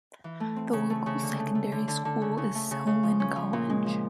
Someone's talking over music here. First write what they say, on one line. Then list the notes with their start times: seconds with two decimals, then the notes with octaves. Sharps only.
The local secondary school is Selwyn College.
0.24 E3
0.40 A3
0.56 C4
0.73 C#3
0.90 A3
1.06 C#3
1.23 D3
1.39 A3
1.55 A3
1.72 D3
1.88 D3
2.05 D3
2.22 C#3
2.38 C#3
2.55 A3
2.71 C#3
2.87 C#3
3.03 F3
3.20 C#4
3.36 F3
3.53 A#2
3.70 G#3
3.86 F3